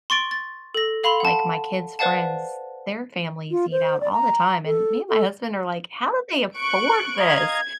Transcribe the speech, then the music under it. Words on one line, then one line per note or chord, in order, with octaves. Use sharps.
like, my kids' friends, their families eat out all the time, and me and my husband are like, "How do they afford this?"
C6 C#6 A6 D7
A6
A4 A#6
A4 F5 B5 C6 F7
F#5 A5
B4 C5 D5 F5 F#5 A5
F4
C5
D5
A#5
A4
A4
C#6 F#6 D7
D#5 F5 A#5 G#6